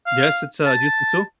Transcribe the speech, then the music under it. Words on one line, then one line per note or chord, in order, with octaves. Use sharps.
Yes, it's, uh, useful too.
F5
A5